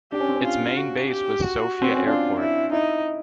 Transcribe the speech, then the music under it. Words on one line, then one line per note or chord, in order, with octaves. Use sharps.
Its main base was Sofia Airport.
D4 G4
C#4
C4
C#4
F4
F#4
G4
F#4
C4
C#4
D4 F4
E4
D#4 E4